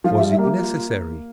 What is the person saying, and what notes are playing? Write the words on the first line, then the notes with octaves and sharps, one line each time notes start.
Was it necessary?
F3 F5
E5
G3
E5
A#3 G4
F4